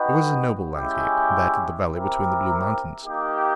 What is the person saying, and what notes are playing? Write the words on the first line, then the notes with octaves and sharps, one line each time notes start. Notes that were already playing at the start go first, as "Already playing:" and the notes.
It was a noble landscape, that of the valley between the blue mountains.
Already playing: D#4 F#4 B4 D#5 G5
G#3 C#4 E4 G4
C4 E4 G4 A#4
A#3 D#4 G4